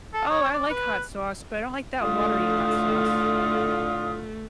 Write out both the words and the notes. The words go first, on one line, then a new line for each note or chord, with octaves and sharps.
Oh, I like hot sauce, but I don't like that watery hot sauce.
A4
C#5
D5
B4
A2 D3 A3 F4 D#6